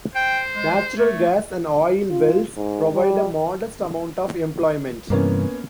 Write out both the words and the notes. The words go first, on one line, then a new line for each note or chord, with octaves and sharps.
Natural gas and oil wells provide a modest amount of employment.
C5 G5
G#3
A3 C#5
F4
G#2
G3
G2 C3 E3 A#3 B3 C#4